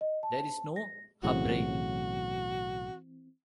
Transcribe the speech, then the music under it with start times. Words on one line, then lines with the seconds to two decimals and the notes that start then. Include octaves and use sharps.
There is no hubrail.
0.01 D#5
0.23 A5
0.76 A#6
1.23 B1 A2 C#3 E3 C4 F#4